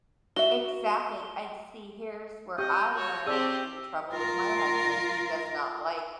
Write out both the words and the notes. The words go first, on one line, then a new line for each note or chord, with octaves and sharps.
Exactly, I'd see, here's where I run into trouble with my husband. He does not like
F#4 E5 G7
G4 D#5 C#6 D#6 G6
F#4 C#5
C4 G4 G#4 D5 A5 E6 D#7
F4 A#4